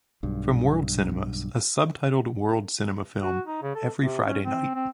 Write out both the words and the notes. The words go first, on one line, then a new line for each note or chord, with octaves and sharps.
From World Cinemas - A subtitled world cinema film every Friday night.
B1 G2
F#4
D#4
C#3
A4
C3
C#4
C4
C4